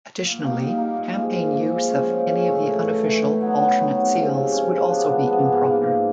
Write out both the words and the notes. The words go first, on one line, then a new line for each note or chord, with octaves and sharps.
Additionally, campaign use of any of the unofficial, alternate seals would also be improper.
A#2
G3 A#3 D#4
A#2
G3 A#3 D#4
A#2
F3 G#3
A#2
F3 G#3
A#2
F3 G#3 C#4
A#2
F3 G#3 C#4
A2
E3 A3
A2
E3 A3
D#3
F#3 B3
D#3
F#3 B3
C3
F3 G#3 C#4
C3
F3 G#3 C#4
F3
G#3 B3 D4
F3
G#3 B3 D4
G#2
F3 A#3 D4
G#2